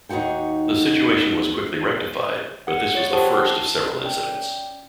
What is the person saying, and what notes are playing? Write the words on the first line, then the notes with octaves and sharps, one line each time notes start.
The situation was quickly rectified, but this was the first of several incidents.
D#2 D#4 F#4 F#5 G5
F#5 G#6 C#7
F4 C#5 D5 A6
G4 C5 F#5 G5 A5
E4 A5 C7
C#4 D5 G5